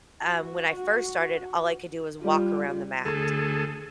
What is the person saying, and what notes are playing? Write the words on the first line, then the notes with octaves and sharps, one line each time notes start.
um, when I first started, all I could do was walk around the mat,
F#4
G3 F4
D2 G#4 A4